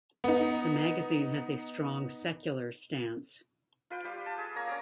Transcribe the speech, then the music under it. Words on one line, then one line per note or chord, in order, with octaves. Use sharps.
The magazine has a strong secular stance.
B3 D#4
F4 B4 G5
G3 G4 F5
A5
G#4
A#3 C#5 A#5
C#4 C#5 D5 A#5